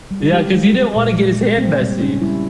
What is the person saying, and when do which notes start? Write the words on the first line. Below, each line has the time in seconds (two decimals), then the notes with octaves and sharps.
Yeah, 'cause he didn't wanna get his hand messy.
0.11 G3
0.20 F4
0.32 G#3 G4
0.53 G#3
0.74 G#3
0.96 A#2
1.16 G#3
1.37 G#3
1.58 A#3 C4
1.79 G3 C4
2.00 C#3 C#4
2.21 G3 E4